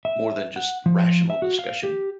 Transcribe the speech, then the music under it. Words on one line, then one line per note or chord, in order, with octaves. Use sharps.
more than just rational discussion,
E5
F#5
F3
E5
F#4
F5
G4